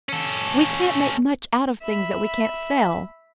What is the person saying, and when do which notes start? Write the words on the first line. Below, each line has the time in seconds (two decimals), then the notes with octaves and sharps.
"We can't make much out of things that we can't sell."
0.09 C#4 A4
1.82 E5 B5